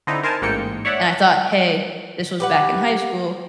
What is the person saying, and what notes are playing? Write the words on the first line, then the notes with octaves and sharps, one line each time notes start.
And I thought, "Hey, this was back in high school,
D3 C4 D#4 E4
A#4 C5 G#5 A5
A1 G#2 A#3 G5 C#7
C#5 D5 E5 F#5
G4 B4 F#5